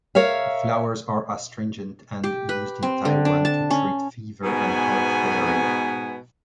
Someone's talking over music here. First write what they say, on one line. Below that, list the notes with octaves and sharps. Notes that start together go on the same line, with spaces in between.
The flowers are astringent and used in Taiwan to treat fever and halt diarrhea.
A#4 C#5 E5 F5
G4
B4
C4
D3
D4
A5
C#4
G#2 B2 B3 G#5